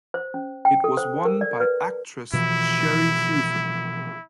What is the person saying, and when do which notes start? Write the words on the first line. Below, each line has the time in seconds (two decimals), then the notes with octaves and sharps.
It was won by actress Sherrie Hewson.
0.14 C5
0.34 C#4
0.65 G5
0.84 A4
0.97 C5
1.25 A#4
1.41 D5
1.60 B4
2.33 B2 E3 F3 E4